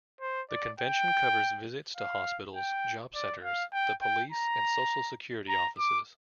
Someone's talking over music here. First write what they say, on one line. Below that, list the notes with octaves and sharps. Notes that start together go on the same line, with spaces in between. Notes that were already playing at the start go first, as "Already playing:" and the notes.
The Convention covers visits to hospitals, job centres, the police and social security offices.
C5
D5
G5
F5
G5
D5
F5
G5
G5
A#5
A#5
D6